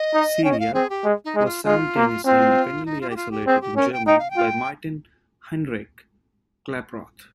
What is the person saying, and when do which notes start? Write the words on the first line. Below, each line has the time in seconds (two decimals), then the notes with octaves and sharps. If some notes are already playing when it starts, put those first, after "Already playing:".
Ceria was simultaneously independently isolated in Germany by Martin Heinrich Klaproth.
Already playing: D#5
0.14 D#4
0.44 C#4 G5
0.52 D#5
0.60 F5
0.74 C4 G#4
0.90 G4
1.04 G#3
1.25 D#4
1.36 G#3
1.40 D#4
1.46 F4
1.65 G#3 F4
1.96 A#3
2.25 C4 F4
2.86 D#4
3.01 F4
3.10 G4
3.16 F4
3.31 G4
3.47 C4 G#4
3.61 G4
3.77 C#4 A#4
3.92 G5
4.07 D#4 G5
4.19 F5
4.30 G5
4.37 F4